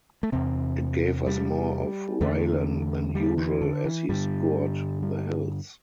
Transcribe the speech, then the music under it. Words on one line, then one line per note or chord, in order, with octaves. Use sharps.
It gave us more of Raylan than usual as he scoured the hills.
A3
E2 C3 C4
G3
E2 D3 A3
G3
E3
D3
E3
G2 D3 G3
G3